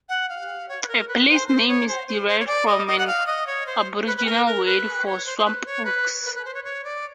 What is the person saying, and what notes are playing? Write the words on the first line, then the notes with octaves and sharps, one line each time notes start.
The place name is derived from an Aboriginal word for "swamp oaks".
F#5
F5
C#5
B4
A#4
B4
C5
C5
C#5
C5
C5
C5
C#5
D5
D#5
D#5
F#5
F5
D#5
C#5
C5
B4
B4
A#4
A#4
B4
C#5
C5
C5
B4
C#5
B4
B4
B4
C5
C#5
C#5
D5